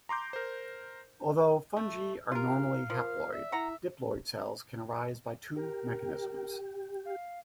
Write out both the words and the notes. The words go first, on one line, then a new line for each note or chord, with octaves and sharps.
Although fungi are normally haploid, diploid cells can arise by two mechanisms.
A#5 C6 D6 G6
A#4 C5
A3
F4 G4 A#4 F5
F3 A#4
D5 E5
E4 F#5 A#5
G4 A#4
F5